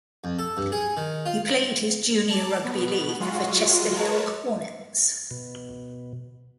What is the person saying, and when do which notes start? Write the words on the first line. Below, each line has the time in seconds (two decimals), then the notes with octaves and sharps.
He played his junior rugby league for Chester Hill Hornets.
0.24 F2
0.39 A4
0.57 G2
0.72 G#4
0.97 D#3
1.26 F4
2.29 A5 D6
2.64 B2 B3
3.20 F#3 G#3 F4 F#4
3.96 A#4 B4 C#5 A5
5.31 B2